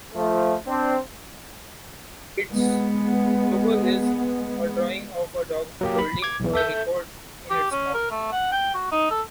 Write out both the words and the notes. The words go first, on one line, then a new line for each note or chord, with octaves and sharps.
Its logo is a drawing of a dog holding a record in its mouth.
F3 A3
C4 D4
G#3 B3
F#3 A#3 G4
B5
D6 G#6
B1 E2
A4 E5 G6
G4
C#4
A#4
A3
F#5
G5
F#4
D#4
A4